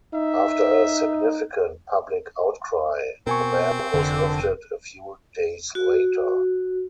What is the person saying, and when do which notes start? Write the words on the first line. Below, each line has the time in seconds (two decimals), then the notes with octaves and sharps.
After a significant public outcry, the ban was lifted a few days later.
0.14 D#4 E5
3.27 B2 C4 A#4 G#5 C#6
3.94 F1 D3
5.75 F#4